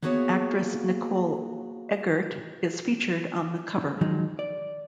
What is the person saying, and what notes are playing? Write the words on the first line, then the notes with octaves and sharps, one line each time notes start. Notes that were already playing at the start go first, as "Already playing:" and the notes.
Actress Nicole Eggert is featured on the cover.
A#3 B3 F#4 G#4 C#5 E5
D#3 F3 F#3 G#3 D#4
D5